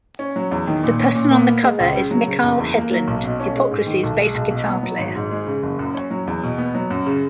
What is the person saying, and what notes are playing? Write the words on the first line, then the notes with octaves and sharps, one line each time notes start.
The person on the cover is Mikael Hedlund, Hypocrisy's bass guitar player.
C#4
F#3
E2
D#3
A#2
C#4
A#2
A#3
B3
G#3
C#2
C#3
F#3
C#3
F#1
E2
A#3
F#3
B1
B2
C#4
G#3
G#2
D#3
B1
G#3
B1
B2
B3
F#3
G#1
G#2
G#3
C#3
F#1
F#2
C#4
F#3
E2
B2
B3
F#3
F#2
C#3